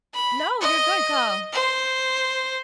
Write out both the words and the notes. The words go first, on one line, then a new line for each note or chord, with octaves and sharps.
No, you're good, go.
B5
D#5
C5